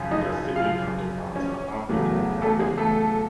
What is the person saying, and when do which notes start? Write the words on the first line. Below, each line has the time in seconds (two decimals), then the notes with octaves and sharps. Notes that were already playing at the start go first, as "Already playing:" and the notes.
Their cyclic counterparts are aptly called radialenes.
Already playing: F#2 C#3 F3
0.11 D#4 D#5
0.56 F4 F5
1.36 C#4 C#5
1.89 E2 C#3 F#3 A3
2.42 A3 A4
2.60 G#3 G#4
2.77 A3 A4